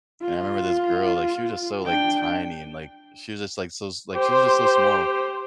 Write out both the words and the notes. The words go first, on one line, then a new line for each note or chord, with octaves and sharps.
and I remember this girl, like, she was just so, like, tiny, and, like, she was just, like, so s like she's just so small,
F4
D4 G5
G4 C5